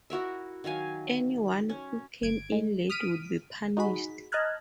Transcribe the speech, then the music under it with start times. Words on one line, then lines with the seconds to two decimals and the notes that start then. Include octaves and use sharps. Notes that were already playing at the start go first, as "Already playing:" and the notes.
Anyone who came in late would be punished.
0.10 E4 F#4 A#4 E5
0.64 D#3 F#3 F5 G#5
1.69 C#4
2.22 G1 G#6 D7
2.52 G#3
2.90 D#6 F6 B6 D7 D#7
3.77 D#4 F#4 G#4 B5
4.32 D#5 A5 A#5 F6 F#6 G#6